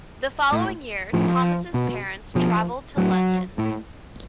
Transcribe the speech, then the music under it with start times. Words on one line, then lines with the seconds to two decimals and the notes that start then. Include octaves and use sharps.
The following year, Thomas' parents traveled to London.
0.52 A2
1.13 A2 F3
1.74 B2
2.35 B2 F3
2.97 A2 F#3
3.58 A2